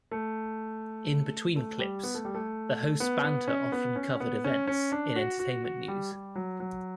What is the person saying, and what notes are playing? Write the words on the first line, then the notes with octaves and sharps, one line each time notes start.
In between clips, the hosts' banter often covered events in entertainment news.
A3
A3
G3
B3
A3
G3
A3
B3
B3
C#4
B3
C#4
B3
C#4
C#4
D4
F#4
F#4
F#4
G3
G3
F#3
F#3